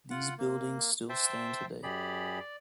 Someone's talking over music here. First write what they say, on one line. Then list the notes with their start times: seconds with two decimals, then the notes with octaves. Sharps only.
These buildings still stand today.
0.11 F4 F#5
0.38 A#3
1.09 C5 E5 G5 A5
1.83 F#2 G4 G#4 D5 B5
2.39 D5